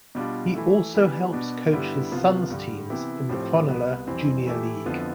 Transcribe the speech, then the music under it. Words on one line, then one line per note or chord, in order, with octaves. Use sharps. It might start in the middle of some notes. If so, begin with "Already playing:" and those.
He also helps coach his sons' teams in the Cronulla junior league.
B2 G3 D4 F4
E3 A3 E4
E3 G3 B3
B2 B3 D4
G2 D3 G3 B3 E4
C2 C3 F3 B3 F4
G2 D3 G3
C3 E3 B3 E4 G4
A2 F3 C4 G4
C2 B2 B3
F2 E3 G3 C4
E3 A3 E4 G4
F2 D3 F3 B3 E4